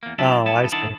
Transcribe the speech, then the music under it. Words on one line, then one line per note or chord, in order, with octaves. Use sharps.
Oh, I see.
E2 A#3
B2 F#3 D4 E4 E5 A5
G2 B3 E4 A5
D#3 D4 E4 F#5 A5